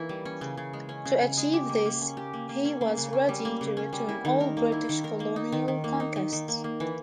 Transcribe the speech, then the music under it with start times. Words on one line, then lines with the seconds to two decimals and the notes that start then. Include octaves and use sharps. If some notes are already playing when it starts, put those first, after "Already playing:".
To achieve this, he was ready to return all British colonial conquests.
Already playing: E3 A#3 E4
0.09 G3
0.25 C#4
0.41 C#3
0.57 C#3
0.73 G#3
0.89 C#4
1.05 C#3
1.21 C#3
1.37 G#3
1.53 G4
1.69 A#3
1.85 A#3
2.02 C#4
2.17 G4
2.33 A#3
2.49 A#3
2.65 C#4
2.81 A#3
2.97 C#3
3.13 C#4
3.29 G3
3.45 A#3
3.61 C#3
3.77 C#4
3.93 G3
4.09 E4
4.25 D#3
4.40 A#4
4.57 A#3
4.72 E4
4.89 D#3
5.04 A#4
5.20 A#3
5.36 D#4
5.52 D#3
5.68 D#3
5.84 A#3
6.00 D#4
6.16 D#3
6.32 D#3
6.48 A#3
6.64 A#3
6.80 E3